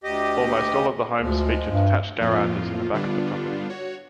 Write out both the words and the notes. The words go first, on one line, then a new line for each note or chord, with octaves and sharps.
Almost all of the homes feature detached garages in the back of the property.
D2 G4 D#5
D2 F3 G#3
G2
F2 A2 F3 A#3 F4
D3 G3 B3 D4 F4
F#4 C#5